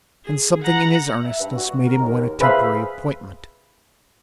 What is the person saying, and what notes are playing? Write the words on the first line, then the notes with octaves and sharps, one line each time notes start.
And something in his earnestness made him win a temporary appointment.
G#4
F#5 A#5
E5
G2
F#4
A#4
D#2
G#4 B4 C5 E5 F5 B5